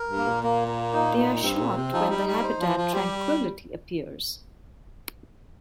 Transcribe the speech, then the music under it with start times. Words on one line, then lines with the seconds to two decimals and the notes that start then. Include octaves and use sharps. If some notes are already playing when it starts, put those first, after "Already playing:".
They are shocked when the habitat Tranquillity appears.
Already playing: A#4
0.09 G2
0.18 A#3
0.27 A#2
0.43 A#3
0.68 A#3
0.93 D#4
1.18 D#4
1.43 G2 C4
1.60 A#2
1.68 C4
1.77 C3
1.93 F3 D#4
2.10 G3
2.19 D#4
2.27 G3
2.43 C5
2.60 F3
2.69 C5
2.77 F3
2.93 G3 G4